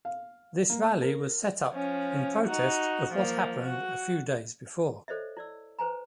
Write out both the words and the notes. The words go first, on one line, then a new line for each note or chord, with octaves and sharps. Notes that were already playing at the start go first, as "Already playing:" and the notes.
This rally was set up in protest of what happened a few days before.
F5
A#3
A#4
F3 C#4
D#4 F#4
F3 A#3
F#4
A4 C5 C#5 D#5 E5
E4 D5 E6
B4 C5 G#5 A#5